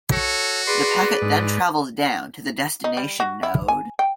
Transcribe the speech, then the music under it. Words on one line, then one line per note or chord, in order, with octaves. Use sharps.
The packet then travels down to the destination node.
F#4 A4 C#5
G#4 B4 D5 C6
G#2
D#4
G3
F#4
E4
G#5
G5